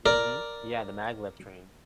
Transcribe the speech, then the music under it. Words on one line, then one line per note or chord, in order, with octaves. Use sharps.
Mhm. Yeah, the maglev train.
A#4 D5